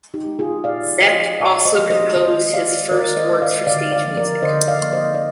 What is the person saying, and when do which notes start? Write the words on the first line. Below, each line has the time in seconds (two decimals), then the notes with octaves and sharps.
Zech also composed his first works for stage music.
0.14 D#4 G4
0.26 G#3
0.39 F4 G#4
0.64 A#2 D5 F5
1.02 F3 G#3 C5 D#5
1.40 A#2 D5 F5
1.65 C5 D#5
1.78 F3 G#3
1.90 C5 D#5
2.15 D#3 C5 D#5
2.53 G#3 D5 F5
2.91 D#3 A#4 D5
3.17 C5 D#5
3.30 G#3
3.42 D5 F5
3.67 D3 D5 F5
3.92 D5 F5
4.04 F3 A#3
4.17 A#4 D5
4.42 D3 C5 D#5
4.68 D5 F5
4.80 F3 A#3
4.93 C5 D#5
5.14 D5